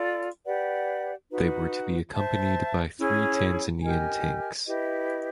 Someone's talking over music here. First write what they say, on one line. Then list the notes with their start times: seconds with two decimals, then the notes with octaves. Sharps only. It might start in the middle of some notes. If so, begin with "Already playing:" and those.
They were to be accompanied by three Tanzanian tanks.
Already playing: F4 A4 D5
0.46 G4 B4 D5 F#5
1.30 D#4 F#4 B4
2.14 C5 E5 A5
2.98 C#4 E4 G#4 C#5
3.82 G4 A#4 D#5 G#5
4.67 E4 G4 B4 D#5